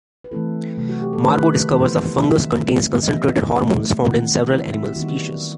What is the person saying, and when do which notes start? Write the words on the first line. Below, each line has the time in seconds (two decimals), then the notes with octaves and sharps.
Margo discovers the fungus contains concentrated hormones found in several animal species.
0.24 B4
0.31 E3 A3 C4 E4 A4
0.78 C3 F#3 A3
0.89 F#4
1.01 G4
1.13 A4
1.25 D#3 A3 D#4 B4
1.71 E3 B3 E4 C5
2.17 D#3 F#3 C4 D#4 E5
2.64 F#3 A3 C4
3.03 D#5
3.10 E3 G3 B3 D#4 E5
3.57 F#3 A3 D#4
4.03 D#3 A3 C4 E4 F#5
4.49 F#3 C4 E4 E5
4.73 E5
4.96 D#3 G3 B3 D#4 F#4